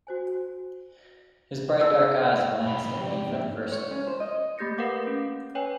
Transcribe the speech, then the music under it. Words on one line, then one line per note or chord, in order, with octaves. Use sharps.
His bright dark eyes glanced at me for the first time.
F#4 C5 G#5
B3 D4 E4 G#4 C#5 A5 E6
B2 B5
F2 G#2
G4 D5 G5
A#3 D#4 E5
C#5
C#4
C5
D#5
A3 A#3 G4 G6 A#6 C#7
A#4 B4 F5 F#5 D6 D#6
C#4
B4 C#5 G5 G#5